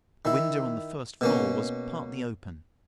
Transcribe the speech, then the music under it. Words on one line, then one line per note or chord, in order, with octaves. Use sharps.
A window on the first floor was partly open.
D#3 E4
B2 A#3 C#4